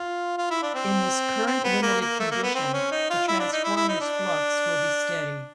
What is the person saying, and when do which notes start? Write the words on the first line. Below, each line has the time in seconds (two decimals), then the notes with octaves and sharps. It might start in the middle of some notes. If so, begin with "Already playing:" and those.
In this current-limited condition the transformer's flux will be steady.
Already playing: F4
0.38 F4
0.51 E4
0.62 D4
0.75 C4
1.47 C4
1.64 B3
1.82 A#3
2.01 A#3
2.20 A3
2.31 A#3
2.43 B3
2.55 C4
2.73 C#4
2.91 D#4
3.10 F4
3.28 E4
3.40 D4
3.52 D#4
3.64 E4
3.76 E4
3.88 D#4
4.01 D4